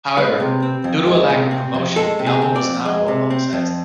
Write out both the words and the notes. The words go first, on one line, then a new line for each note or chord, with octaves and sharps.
However, due to a lack of promotion, the album was not well-publicized.
G#3 B4
C3
C4
F2
G#3
C3
C4
F2
G#3 A4
C3
G#4
C4
D5
F2
G#3
C3
C4
F2